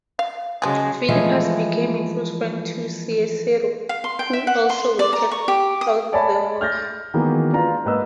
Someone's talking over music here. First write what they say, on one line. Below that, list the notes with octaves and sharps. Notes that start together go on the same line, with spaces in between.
Philippus became a close friend of Cicero, who also waited out the war.
F5
C#3 F3 F#3 G#3 G#4
E3 F3 G#3 A3 G#4 D#5
F5
C6
G5
E5
F#5
C6
D5
A#5
C#6
G4
D#6
C#5 D5 E5 G#5 A5 B5
F6 G6 A6 A#6
D#3 E3 F#3 G#3 A#3 B3
D4 F4 B4 A#5
G#2 A#3 B4 D#5 E6